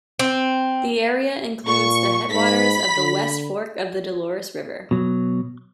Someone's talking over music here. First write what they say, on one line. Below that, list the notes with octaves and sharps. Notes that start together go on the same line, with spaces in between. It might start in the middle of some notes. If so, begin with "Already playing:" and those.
The area includes the headwaters of the west fork of the Dolores River.
C4
A#2 C#6
G#2 B5 B6
D3
B2 F#3